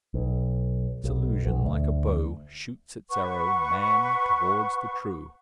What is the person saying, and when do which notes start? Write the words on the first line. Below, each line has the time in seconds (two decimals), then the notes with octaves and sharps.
Disillusion, like a bow, shoots its arrow, man, towards the True.
0.14 B1
1.04 B1
1.46 B1
1.65 D2
3.10 B4 F#5 C#6